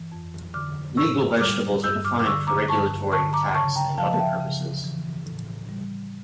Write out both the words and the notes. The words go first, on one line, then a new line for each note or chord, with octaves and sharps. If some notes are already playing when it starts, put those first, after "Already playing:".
Legal vegetables are defined for regulatory, tax and other purposes.
Already playing: G2 E3
F2
D3 D6 F6
A2 C#6 E6
G3 D6 F6
G2 E6 G6
D6 F6
D6
D3 C#6 E6
A#5 D6
G2 A5 C#6
D3 A5 C#6
A#5 D6
C#3 A5 C#6
G5 A#5
F3 F5 A5
A5
E5 G5
C#3
E3
A2
G3